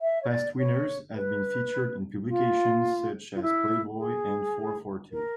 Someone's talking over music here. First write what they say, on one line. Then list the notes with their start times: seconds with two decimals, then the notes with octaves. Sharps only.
Past winners have been featured in publications such as Playboy and Four Four Two.
0.01 E5
0.22 C#5
0.29 D5
0.58 C#5
1.14 B4
2.28 F4
3.35 F4
3.41 E4
3.98 G#4
5.12 A#4